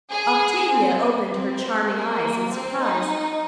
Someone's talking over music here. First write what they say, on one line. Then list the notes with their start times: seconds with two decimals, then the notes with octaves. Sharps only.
Octavia opened her charming eyes in surprise.
0.11 G#4
0.71 C4
1.01 A#3
1.31 C4
1.60 C4
1.91 A#3
2.50 C4
2.81 D#4